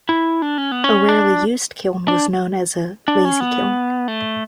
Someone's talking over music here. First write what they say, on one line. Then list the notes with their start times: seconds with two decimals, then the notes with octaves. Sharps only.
A rarely used kiln was known as a "lazy kiln".
0.09 E4
0.42 D4
0.58 C#4
0.72 B3
0.84 C#4
1.08 D4
2.08 D4
3.08 D4
3.25 C#4
3.40 B3
4.08 A3